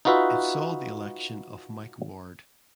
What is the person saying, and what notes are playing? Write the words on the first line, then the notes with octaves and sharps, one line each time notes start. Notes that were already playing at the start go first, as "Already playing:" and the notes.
It saw the election of Mike Ward.
D#4 F4 F#4 B4 E5